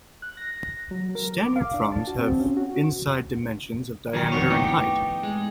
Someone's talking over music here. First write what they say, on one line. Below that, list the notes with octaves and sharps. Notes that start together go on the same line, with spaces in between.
Standard drums have inside dimensions of diameter and height.
F#6
A#6
F#3
A#4
D6
F5
D4
A5
F#4
C4
C#4
F#4
D#3 F#3 G3 A#4
F2 C3 D#3 B3 C#5
A2 B3 D#4 G4
G#3